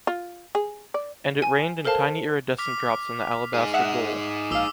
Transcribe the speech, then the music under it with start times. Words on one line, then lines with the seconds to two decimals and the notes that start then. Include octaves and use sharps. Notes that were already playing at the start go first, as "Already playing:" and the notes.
And it rained in tiny iridescent drops on the alabaster bowl.
0.07 F4
0.55 G#4
0.94 D5
1.42 G#5
1.85 A4 A#4 C5 F5 A5
2.58 D6 F6 B6
3.54 D#4 G#4
3.74 E5 F#5 D#6 E7
4.51 A#1 F5 D6 E6